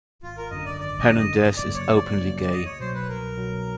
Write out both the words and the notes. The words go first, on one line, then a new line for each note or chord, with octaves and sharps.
Hernandez is openly gay.
G#1 F4
A#4
F#2 D3 D#5
D5
G#1 D5
D#5
F#2 D3
D#5
G1
D5
F#2 C#3 F#3 A#3
C#5
G1 D5
F#2 C#3 F#3 A#3
C2 D#5
C#5
B2 F#3 C5
B4
C2 A#4
B2 F#3